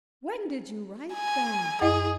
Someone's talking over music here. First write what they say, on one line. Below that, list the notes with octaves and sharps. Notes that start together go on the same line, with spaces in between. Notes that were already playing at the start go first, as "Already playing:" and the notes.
"When did you write that?"
G#5
F#2 E4 G#4 D#5